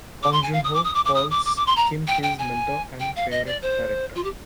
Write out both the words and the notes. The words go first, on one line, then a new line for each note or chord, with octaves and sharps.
Bong Joon-ho calls Kim his mentor and favorite director.
D6
C6
G#5
F5
D#6
D6
D#6
D6
D6
D#6
D6
D6
D6
C6
A#5
G5
G5
G#5
G5
F5
D#5
D5
C5
F4
G4